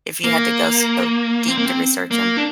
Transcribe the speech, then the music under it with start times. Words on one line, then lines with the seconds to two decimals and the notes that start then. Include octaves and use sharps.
if you had to go so deep to research 'em?
0.24 A#3
1.48 C4
1.57 A#3
1.66 C4
2.11 A#3
2.37 D4